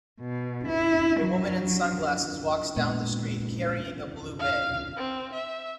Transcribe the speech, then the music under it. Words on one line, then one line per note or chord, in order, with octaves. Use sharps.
A woman in sunglasses walks down the street, carrying a blue bag.
B2
E4
F#3
A#2 G#3 B3
F5
C4
E5